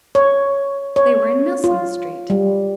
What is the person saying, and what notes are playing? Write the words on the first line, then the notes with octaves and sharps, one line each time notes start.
They were in Milsom Street.
C#5
C#5
F4
G3